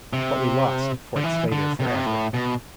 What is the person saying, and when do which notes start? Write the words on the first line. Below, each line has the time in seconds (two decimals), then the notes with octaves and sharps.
But we lost Fort Slatter forever.
0.13 C3
1.16 D3
1.24 E3
1.52 D3
1.80 C3
1.87 B2
1.95 C3
2.06 A2
2.34 B2